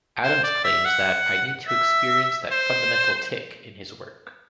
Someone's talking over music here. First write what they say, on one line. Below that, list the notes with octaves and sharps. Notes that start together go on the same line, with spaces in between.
Adams claims that "I need to experience that fundamental tick" in his work.
C5
D5
E5
F#5
E5
C5